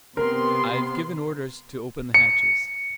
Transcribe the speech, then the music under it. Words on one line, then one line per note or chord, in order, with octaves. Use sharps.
"I've given orders to open the hatches."
C3 B3 A#4 C6
C#7